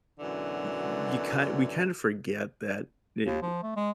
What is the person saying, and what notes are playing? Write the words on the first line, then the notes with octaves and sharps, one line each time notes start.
y you kinda we kinda forget that ne u
F#2 B2 D3 E3
D#2
F3
A3
G#3